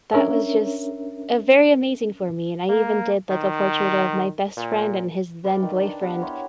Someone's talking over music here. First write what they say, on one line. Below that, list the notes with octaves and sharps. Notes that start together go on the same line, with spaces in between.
that was just, uh, very amazing for me, and I even did, like, a portrait of my best friend and his then boyfriend
C#4 D4 A#4 C#5 E5
A#3
D#3
A#2
B4 D5 F5 G5
D#3
D4
B3 G4 F5 F#5
E4 C#5 A#5 C6